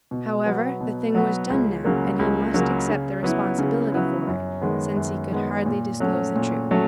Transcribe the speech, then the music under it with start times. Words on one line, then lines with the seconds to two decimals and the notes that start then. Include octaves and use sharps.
However, the thing was done now, and he must accept the responsibility for it, since he could hardly disclose the truth.
0.11 B2
0.46 F#3 B3
0.81 B2
1.15 F#3 B3
1.50 C#2
1.84 C#3 F#3 A#3
2.19 C#2
2.54 C#3 F#3 A#3
2.88 C#3
3.23 F#3 B3 E4
3.58 C#3
3.92 F#3 B3 E4
4.27 F#2
4.61 D#3 G#3 B3
4.97 F#2
5.31 D#3 G#3 B3
5.66 A#2
6.00 F#3 A3 C#4 F#4
6.36 A#2
6.71 F#3 A3 C#4 F#4